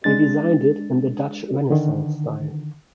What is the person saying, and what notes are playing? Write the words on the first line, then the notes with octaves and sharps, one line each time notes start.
He designed it in the Dutch Renaissance style.
G#3 D4 A6
D3 D#3